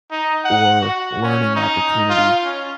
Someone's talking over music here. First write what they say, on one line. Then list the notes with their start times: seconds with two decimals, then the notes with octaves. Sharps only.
or learning opportunity
0.11 D#4
0.45 F#5
0.81 F#4
1.23 C#4
1.56 D#4
2.10 F4
2.44 C#4